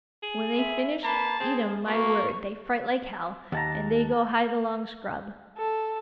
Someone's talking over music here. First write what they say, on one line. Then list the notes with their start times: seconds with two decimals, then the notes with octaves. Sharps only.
When they finish eat ’m, my word, they fright like hell, and they go hide along scrub.
0.23 G#4
0.57 E5
1.04 A#3 B4 A5
1.40 C4 G#4
1.87 B2 A#3 C#6
3.52 D#2 F#5 A5 A#5
5.57 A4